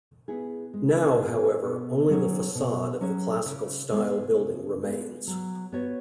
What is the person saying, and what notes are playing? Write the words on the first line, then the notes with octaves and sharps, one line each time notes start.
Now, however, only the facade of the classical-style building remains.
B3 E4 G#4
G#3
B3 E4 G#4
B2
F#3 C#4 G#4 C#5
B2
F#3 C#4 G#4 C#5
C#3
G#3 B3
C#3
G#3 B3
F#3
B3 F#4 C#5